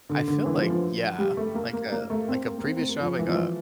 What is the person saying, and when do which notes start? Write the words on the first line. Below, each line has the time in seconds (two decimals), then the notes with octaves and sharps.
I feel like Yeah like a like a previous job, I got
0.09 D3
0.28 D3
0.46 E3
0.58 F3
0.70 F3
1.18 G3
1.37 A3
1.55 A#3
1.73 A#3
1.92 A#3
2.10 A3
2.28 C4
2.46 A#3
2.58 A#3
2.65 C4
2.77 C4
2.89 A#3
3.01 F3
3.19 E3
3.27 F3
3.35 E3